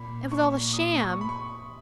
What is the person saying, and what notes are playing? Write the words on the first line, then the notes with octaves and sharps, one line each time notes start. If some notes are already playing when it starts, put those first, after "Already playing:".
It was all a sham.
Already playing: A#2 B5
C#6
D#6
C#6
B5
C#6